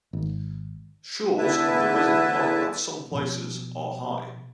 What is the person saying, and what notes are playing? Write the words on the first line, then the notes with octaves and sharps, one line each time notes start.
Shores of the reservoir at some places are high.
G#1
E2 D3 E4 B4 E5 A5
B2 F3